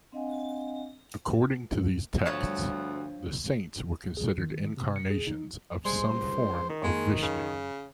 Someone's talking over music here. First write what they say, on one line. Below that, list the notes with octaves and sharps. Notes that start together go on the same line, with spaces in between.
According to these texts, the saints were considered incarnations of some form of Vishnu.
C4 D4 D#5 F5 F#5 G#5
D2 G2 F3 B3 C#5 A5
G#4
D#3
C3
C#7
G#4
D#4
G3 G#3 C5
C#2
D#3
G#3 A#3
F#2 C#3